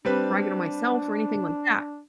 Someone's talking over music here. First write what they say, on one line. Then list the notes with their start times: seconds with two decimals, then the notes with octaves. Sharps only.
bragging on myself or anything like that,
0.05 G3 C4 D4 B4